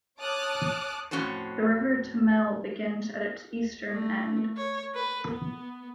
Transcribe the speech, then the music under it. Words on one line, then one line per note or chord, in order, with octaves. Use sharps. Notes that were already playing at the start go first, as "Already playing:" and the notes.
The River Tummel begins at its eastern end.
C#5 A5 D6 D#6 F6 F#6
F2 A2 C#4 F#4 A4 C5
A3
C#5
B4
B3